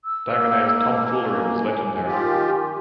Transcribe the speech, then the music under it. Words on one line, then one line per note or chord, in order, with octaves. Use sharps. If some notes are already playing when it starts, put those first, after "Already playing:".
Dagonet’s tom-foolery was legendary.
E6
A#3
G#5
D#3 F4 G4